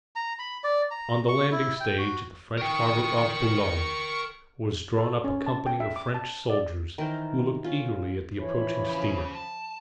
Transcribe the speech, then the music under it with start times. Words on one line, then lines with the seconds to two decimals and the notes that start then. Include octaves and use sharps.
On the landing stage at the French harbor of Boulogne was drawn up a company of French soldiers, who looked eagerly at the approaching steamer.
0.16 A#5
0.39 B5
0.64 D5
0.91 A#5
1.28 C#6
1.51 E4
1.80 G5
1.98 F#4
2.58 A#4 G5 C#6
4.98 A4
5.24 C#4
5.46 A5
5.66 G5
5.80 E5
5.96 D6
6.14 A5
6.50 D5
6.98 D#3 E3 A#4 C5
7.64 C#4 F4
8.40 E3 F3 C#5 B5
8.89 C#3
9.35 A5